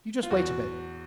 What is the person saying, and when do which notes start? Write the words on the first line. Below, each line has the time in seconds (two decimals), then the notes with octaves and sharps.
You just wait a bit.
0.23 F4
0.31 E2 F#4